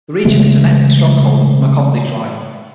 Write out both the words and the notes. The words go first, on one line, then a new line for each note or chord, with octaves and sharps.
The region is an ethnic stronghold of the Makonde tribe.
C#3 E3 G#3 A3